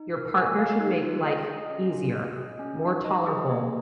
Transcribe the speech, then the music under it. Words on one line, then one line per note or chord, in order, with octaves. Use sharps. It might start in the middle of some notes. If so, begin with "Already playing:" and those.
your partner should make life easier, more tolerable,
Already playing: D#4
A#4
G#5
F5
D#4
F4
D#5
G#4
C#4
F4
D#5
G#4
C#4
D#4
D#5
G#4
A#3